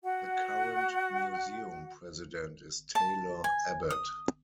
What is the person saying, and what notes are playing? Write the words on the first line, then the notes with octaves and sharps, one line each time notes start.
The current museum president is Taylor Abbott.
F#4 F#5
A5
G#5
D#6